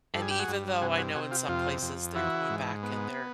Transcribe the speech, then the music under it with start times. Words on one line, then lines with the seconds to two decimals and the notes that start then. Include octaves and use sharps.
and even though I know in some places they're going back and they're
0.14 G2 A4
0.22 G#4
0.31 G4
0.39 F#4 G#4
0.48 G2
0.81 C3 F#4 G#4
0.97 F#4 G#4
1.15 C3 F#4 G#4
1.31 F4 G4
1.48 F2 F4
1.82 F2
2.15 E3 E4 F#4
2.50 G#2
2.83 B3